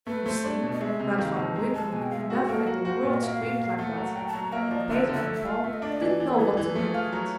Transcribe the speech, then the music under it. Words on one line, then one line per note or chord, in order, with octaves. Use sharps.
You see, Grandfather Winkle never in the world screamed like that, and Peter and Paul didn't know what to make of it.
A3 B4
A3 C5
D4 C#5
B2
D#5
G#3 E5
C3
D#3 F5
C3 A5
G#3 A#5
G#3 A5
B2 G#5
G5
G#3 F5
E5
F#4
A#3 A4
F#4 A#4
F#4 C5
A#2 D5
D#5
A#3 E5
F5
A#2
A#3
A3 F#5
F#3
F#3 G5
A5
F#3
A#5
A#3 E5
D#5
F3 D5
D#5
D3 E5
D3
E5
A3
E5
F4 F5
A3 E5
D#5
D4 D5
D#5
E3 D5
E3
G#4
E3 A4
G#4
E3
A4
A3 G#4
F4
F#3